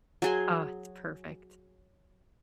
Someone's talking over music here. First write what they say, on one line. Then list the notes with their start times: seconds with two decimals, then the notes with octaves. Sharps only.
Oh, it's perfect.
0.22 F#3 G#4 C6